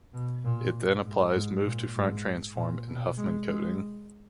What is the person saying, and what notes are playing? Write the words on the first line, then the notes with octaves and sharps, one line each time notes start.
It then applies move-to-front transform and Huffman coding.
B2
A#2
G#2
G#2
A#2
G#2
A#2
B2
G#3
G#3